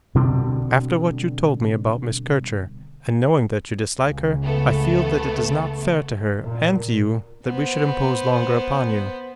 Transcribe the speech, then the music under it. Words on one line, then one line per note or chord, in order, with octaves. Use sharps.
After what you told me about Miss Kircher, and knowing that you dislike her, I feel that it is not fair to her and to you that we should impose longer upon you.
B2 D3 G3 C4
C#2 C#3
A3 B3 A4
A#2
B3 C5